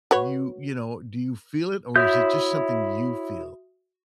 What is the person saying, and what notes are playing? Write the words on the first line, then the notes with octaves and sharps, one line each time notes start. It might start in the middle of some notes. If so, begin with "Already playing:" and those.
you you know, do you feel it, or is it just something you feel?
F#4 B4 C#5
E4 F#4 C#5 E5 D#6 G6